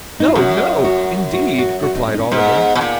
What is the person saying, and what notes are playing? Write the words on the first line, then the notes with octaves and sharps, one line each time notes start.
'No! No, indeed!' replied Oliver.
D#4
F4
F#2 F#4
F#4
F#4
F#4
F#4
D#4
C#4
D#4
C#4
G#2 B3
B2
A#2